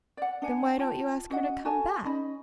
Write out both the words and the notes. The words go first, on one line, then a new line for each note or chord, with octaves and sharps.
"Then why don't you ask her to come back."
D5 F#5
D4 F#5 G#5
F4 G5 A5
C#4 F#4 D#5 F#5
F#4 A4 G#5 A5
C#4 D#4 D#5 B5